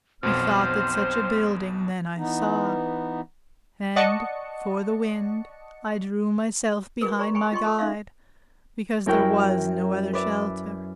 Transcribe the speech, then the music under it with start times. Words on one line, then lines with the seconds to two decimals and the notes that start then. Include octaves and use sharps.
Methought that such a building then I saw; And, for the wind, I drew myself behind My Guide, because there was no other shelter.
0.23 B1 F2 B2 C4 C5 F6
2.17 E3 B3 D#4
3.96 D5 D#5 F#5 A5 C#6 C#7
7.01 F#4 G#4 A#4 B4
7.19 G#4 D5 A#5 C6 C#6
7.35 G5 G#5 B5 C#6
7.52 F4 D#5 G5 C6 C#6
7.66 A4
7.79 C#4 D#4 E5 F5
9.06 F#2 E4 A#4 G5 C#6 F#6
10.13 B4 D5 E5